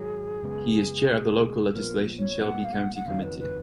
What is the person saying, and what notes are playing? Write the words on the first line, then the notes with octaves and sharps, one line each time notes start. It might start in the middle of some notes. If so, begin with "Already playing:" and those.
He is chair of the Local Legislation Shelby County Committee.
Already playing: G#2 D#3 F#3 G#4
F#2 C#3 G#3 B3
C#2 B2 G#3
A#1 A#2 F3 B3 A#4
C#5
B1 A#2 G#3 B3 F#5
F5
F#5
F#5
F#1 F2 D#3 F#3 F5
B4
B4